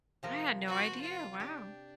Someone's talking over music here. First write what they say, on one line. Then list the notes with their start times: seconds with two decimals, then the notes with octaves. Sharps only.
I had no idea, wow.
0.23 C3 F3 A#4
0.65 F#4 C5
1.01 F4
1.40 D4 G4